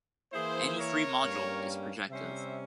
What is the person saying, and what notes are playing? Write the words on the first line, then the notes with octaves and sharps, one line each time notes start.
Any free module is projective.
E3 A#3 E4 G#4 C5
A#4 C#5
G2 G3 A#3 C#4
C3 G3 C#4 C5 E5